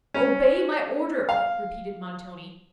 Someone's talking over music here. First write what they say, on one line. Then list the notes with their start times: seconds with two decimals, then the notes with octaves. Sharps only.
'Obey my order,' repeated Montoni.
0.14 C#4
1.29 F5